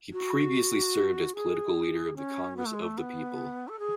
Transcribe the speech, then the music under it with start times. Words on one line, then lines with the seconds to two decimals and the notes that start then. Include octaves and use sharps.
He previously served as Political Leader of the Congress of the People.
0.12 F#4
1.35 G#4
2.16 C#4
2.56 B3
2.65 A3
2.73 G#3
2.81 A3
2.97 B3
3.68 A4
3.79 G#4